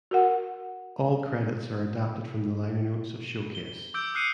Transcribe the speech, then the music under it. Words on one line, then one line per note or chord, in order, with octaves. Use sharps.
All credits are adapted from the liner notes of "Showcase".
F#4 A#4 F#5
G7
D6 E6 G6 D7
D#6 F6 F#6 C7 C#7 D#7